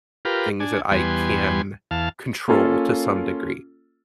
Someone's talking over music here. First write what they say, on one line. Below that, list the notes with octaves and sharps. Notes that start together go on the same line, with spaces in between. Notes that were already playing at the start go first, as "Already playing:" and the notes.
things that I can control to some degree.
F4 G4 A#4 B4
D4 G#5
E2 G3 B3 G#5 C6
E2 F5 A5
A#3 C#4 F4 A4